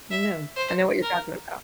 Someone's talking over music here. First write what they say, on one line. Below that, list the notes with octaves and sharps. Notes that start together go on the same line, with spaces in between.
I know I know what you're talking about.
E5
C5
A#4